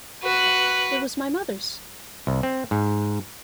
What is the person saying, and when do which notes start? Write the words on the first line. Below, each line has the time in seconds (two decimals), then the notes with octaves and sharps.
It was my mother's.
0.22 F#4 B4
2.27 C2
2.43 C4
2.71 G#2